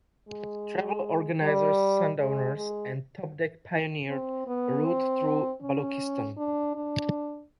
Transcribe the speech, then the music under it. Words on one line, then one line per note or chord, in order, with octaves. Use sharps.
Travel organizers Sundowners and Topdeck pioneered a route through Baluchistan.
G#3
G3
G#3
G#3
C4
B3
C4
C#4
D4
D4